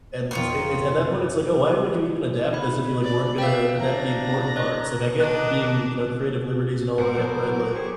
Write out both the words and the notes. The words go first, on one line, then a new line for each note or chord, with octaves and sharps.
And it it at that point, it's, like, "Oh, why would you even adapt this if you, like, weren't gonna adapt the important parts?" Like, I get being, you know, creative liberties, and all that, but like
F2 D#3 F4 C#5 C6
F#1 C4
D#4 B5
D5
E5 F5 G5
D4 A#5
C#5 D#5 F#6
D#3 D4 D#5 F#6
G#2 A#4 C5 F#5 D6
F#3 B3 A4
G4 G#4 C5 C#6